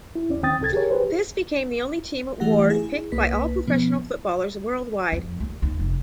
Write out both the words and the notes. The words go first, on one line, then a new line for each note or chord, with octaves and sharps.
This became the only team award picked by all professional footballers worldwide.
E4
E2 C#4 D5
D#2 D#3 C4 G5 D#6 A6
C2 A4 G#6 A6
G4 G#4 A#4 C#5
G4 G#4 B4 C5
E3 A3 G4 F#5 A#6
E4 G#4
C2 A#3 B4 B6
B2 F3 B3
F2
D#2
D#2
F1